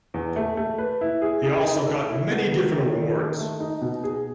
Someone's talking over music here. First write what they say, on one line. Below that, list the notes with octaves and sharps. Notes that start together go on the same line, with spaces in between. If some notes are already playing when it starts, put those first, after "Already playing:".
He also got many different awards.
E2
A3
A3
B4
E4
G#4
G#4
D#4
A4
E4
B3
D#3
D#3
D#3
D#3
A3
D#4
B2
G#4